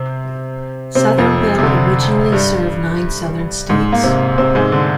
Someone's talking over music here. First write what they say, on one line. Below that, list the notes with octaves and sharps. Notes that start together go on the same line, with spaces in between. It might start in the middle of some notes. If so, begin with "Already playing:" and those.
Southern Bell originally served nine Southern states.
Already playing: C3 C4
C3 C4
F2 F3
C3
C3
D3
G2 G3
G#2 G#3
A#3
C3 C4
C3 C4
G#2 G#3
D3